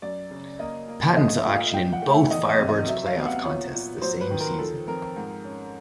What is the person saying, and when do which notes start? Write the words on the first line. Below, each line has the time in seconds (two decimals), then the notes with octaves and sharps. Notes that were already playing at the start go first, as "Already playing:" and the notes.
Patten saw action in both Firebirds' playoff contests the same season.
0.02 F#2 D5
0.31 C#3
0.59 A#3 D#5
0.88 A#3
1.16 A3 D#5
1.36 E5
1.45 A#2
1.55 F5
1.73 F3 G5
1.93 F#5
2.02 A3
2.12 E5
2.30 E2 D#5
2.50 D#5
2.59 C3
2.69 D#5
2.87 F#3 E5
3.06 F5
3.16 B3
3.26 F#5
3.45 A#2 C#5
3.73 A#2
4.02 F#3 C5
4.21 B4
4.30 D#3
4.40 A#4
4.59 F3 A4
4.88 F2 A#4
5.16 G#2
5.44 C#4